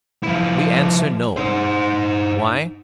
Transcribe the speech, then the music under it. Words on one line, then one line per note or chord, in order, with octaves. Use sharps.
We answer No. Why?
F3 E4
D#4 C5